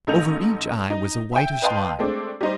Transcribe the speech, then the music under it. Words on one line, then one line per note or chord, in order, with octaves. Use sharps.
Over each eye was a whitish line.
A1 D#4 A4 G6 F7
D#4
E5 G5
B4 D#5 F5 G5 A5 C6
G#3 A3 C4 D4
G3 D#4 C5